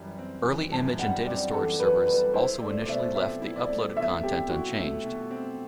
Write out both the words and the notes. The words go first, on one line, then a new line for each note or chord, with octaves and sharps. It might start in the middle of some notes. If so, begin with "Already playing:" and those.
Early image and data storage servers also initially left the uploaded content unchanged.
Already playing: F#2 E3 G3
C4
E3
F#2 A5
G3 F#5
C4 D5
E3 A4
F#2 B4
G3 B4
E4 C5
A3 D5
D5
B2 E5
C4 E5
E4
D5
A3
B2 E5
C4 G4
E4 F#4
A3
B2
C4